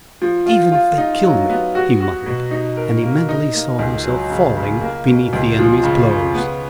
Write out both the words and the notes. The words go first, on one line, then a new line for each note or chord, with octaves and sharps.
"Even if they kill me," he muttered, and he mentally saw himself falling beneath the enemy's blows.
F3
F4
F4
D#4
F#3
B3
F#4
F#4
B2
D#4
A#4
A#3
D#4
A#3
C#2
F#3
C#3
C#3
A#3
B2
C#2
F3
C#3
C#3
B3